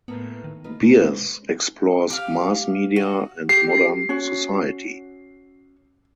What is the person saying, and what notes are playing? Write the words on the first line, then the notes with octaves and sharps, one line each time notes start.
Beers explores mass media and modern society.
A2 A#3 B3 B4
D#3
D#4 F4 B4
B2 C#4 D4 A#4
G#3 B4 C5
G4 F5
F#4
G4 C7
C#4 F#4